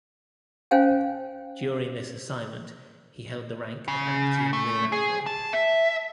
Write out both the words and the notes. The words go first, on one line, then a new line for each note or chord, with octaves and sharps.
During this assignment he held the rank of acting rear admiral.
C#4 C5 F5 G5 G#5
C#3
A3
G#4
A5
E5